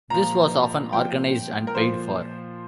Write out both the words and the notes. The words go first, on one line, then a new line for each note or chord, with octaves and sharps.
This was often organized and paid for.
A#2 F3 A#5
A#2 F3 G5
A#4
A#2 F3 C5